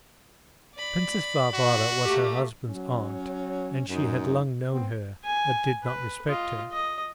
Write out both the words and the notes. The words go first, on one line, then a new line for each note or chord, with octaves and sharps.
Princess Varvara was her husband's aunt, and she had long known her, and did not respect her.
D5 B5
F#4
A3 A#3 G4
F#3 C#4
F#2 D#4
B3 C4
G#5
B4
F4 D#5
D#5